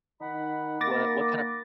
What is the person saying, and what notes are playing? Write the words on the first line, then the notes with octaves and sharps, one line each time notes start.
What what kinda
D#3 D#4 F#5 B5
A#3 D6 A6 A#6